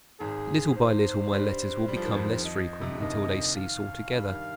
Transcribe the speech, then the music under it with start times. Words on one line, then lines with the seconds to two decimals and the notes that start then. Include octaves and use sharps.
Little by little my letters will become less frequent until they cease altogether.
0.20 G#1 G#2 G#4
0.76 C5
1.32 G2 G3
1.88 G3
1.97 F3
2.05 D#3
2.12 F2 F3
2.45 D#5
2.82 C3
2.91 D3
3.01 D#2 D#3 D#5
3.56 F5
4.12 G2 G3 F5
4.31 D#3